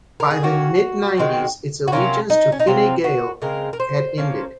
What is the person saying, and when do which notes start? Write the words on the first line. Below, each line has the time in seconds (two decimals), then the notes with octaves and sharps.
By the mid-nineties its allegiance to Fine Gael had ended.
0.20 A#4
0.31 G#4
0.43 D#3 A#3 C#4 F#4
1.17 D#3 G#3 C4
1.88 F#4
1.92 C3 F#3 A#3 C#4 F4
2.30 D#4
2.52 C#4
2.59 D#4
2.67 C3 F#3 C4 F4
3.04 F#4
3.42 C#3 G#3 C4 A#4
3.73 A#4
3.80 C5
4.18 F3 A#3 C#4